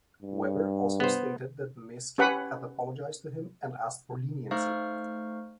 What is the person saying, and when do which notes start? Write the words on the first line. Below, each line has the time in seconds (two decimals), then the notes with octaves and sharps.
Weber also stated that Meeske had apologized to him and asked for leniency.
0.22 G2
1.00 B3 C5
2.18 C#4 G4 B4 F#5 B5
4.51 A3 D#4 C5 F5 C#6 F6